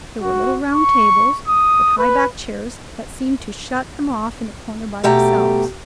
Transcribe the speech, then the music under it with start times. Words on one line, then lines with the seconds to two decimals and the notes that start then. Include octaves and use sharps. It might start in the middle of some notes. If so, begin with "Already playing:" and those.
There were little round tables with high-backed chairs that seemed to shut them off in a corner by themselves.
0.21 F#4
0.72 C#6
1.48 D#6
1.98 B4
5.04 B2 A3 G4 A#5